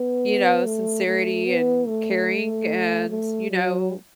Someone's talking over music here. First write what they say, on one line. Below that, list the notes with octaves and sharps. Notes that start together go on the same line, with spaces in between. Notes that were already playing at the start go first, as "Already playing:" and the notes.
you know, sincerity, and caring and, you know,
Already playing: B3
A3
A3
B3
A3
A3
F#3